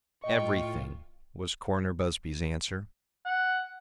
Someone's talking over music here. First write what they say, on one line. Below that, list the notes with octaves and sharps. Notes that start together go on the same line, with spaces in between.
"Everything," was Coroner Busby's answer.
A2 F4 D#5 G5 C#6
F#5